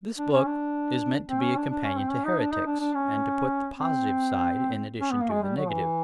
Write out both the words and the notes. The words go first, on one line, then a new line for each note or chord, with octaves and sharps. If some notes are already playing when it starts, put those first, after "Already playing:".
This book is meant to be a companion to "Heretics," and to put the positive side in addition to the negative.
D4
C#4
D4
C4
C#4
D4
D4
C#4
C4
C#4
D#4
D4
D#4
D4
D4
C#4
C4
C#4
B3
A#3
G#3
G3
F#3
E3